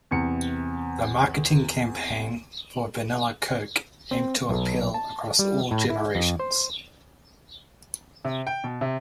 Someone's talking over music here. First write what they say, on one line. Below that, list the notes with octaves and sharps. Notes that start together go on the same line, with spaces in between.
The marketing campaign for Vanilla Coke aimed to appeal across all generations.
E2 C3 C#7
C4
B1
A5
G3
A2
E4
F2
C5
C3
G5
B2
C3